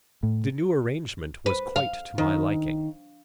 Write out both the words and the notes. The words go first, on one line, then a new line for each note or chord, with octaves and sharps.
The new arrangement was quite to my liking.
A2
B4
F5
D#3